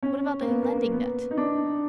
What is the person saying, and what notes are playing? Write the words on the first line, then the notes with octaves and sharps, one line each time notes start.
"What about a landing net?"
C#4
A#3
B3
A#3
A#3
B3
D#4
D4